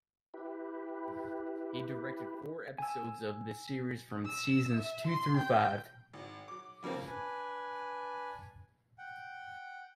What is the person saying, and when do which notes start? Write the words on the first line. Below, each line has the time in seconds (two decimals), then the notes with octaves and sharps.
He directed four episodes of the series from seasons two through five.
0.34 E4 G4 B4
2.78 G#5 E6
4.25 E6
4.75 E5
5.07 C6
5.37 G5
6.13 G#1
6.48 F#3 D6
6.83 F1 F2 C#3 A#3 C4
7.06 D4 B4 G#5
8.98 F#5 G5